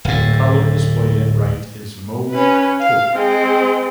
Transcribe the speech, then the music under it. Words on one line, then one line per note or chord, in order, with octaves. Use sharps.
The color displayed at right is mauve taupe.
D1 A2
C#4 B4
F5
G#3 C4